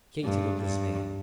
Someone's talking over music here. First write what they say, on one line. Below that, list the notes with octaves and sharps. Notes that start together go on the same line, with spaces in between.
Katy looked dismayed.
G2
G2